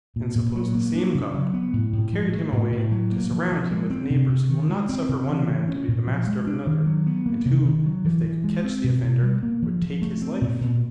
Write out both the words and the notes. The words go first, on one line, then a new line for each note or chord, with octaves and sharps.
And suppose the same god, who carried him away, to surround him with neighbours who will not suffer one man to be the master of another, and who, if they could catch the offender, would take his life?
A#2
A#2
F#3
A#3
D4
C#3
F#3
B3
A2
A2
F3
A3
A2
A2
F#3
A#3
F3
F3
G#3
C4
C3
C3
D#3
G#3
C4
C#3
E3
A3
C#4
A#2
F3
G#3
D4
D#3
F#3
B3
A#3
C3
D#3
F#3
E3
E3
G#3
C4
B2
B2
G3
A#3
F3
F3
A3
C4
A#2
A#2